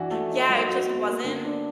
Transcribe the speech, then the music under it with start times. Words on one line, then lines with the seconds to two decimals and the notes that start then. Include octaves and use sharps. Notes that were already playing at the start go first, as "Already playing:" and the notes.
Yeah. It just wasn't
Already playing: E3 D4 F#4
0.11 A3
0.30 D#4
0.49 F#3
0.67 F#4
0.86 B3
1.05 A#3
1.24 D3
1.43 D4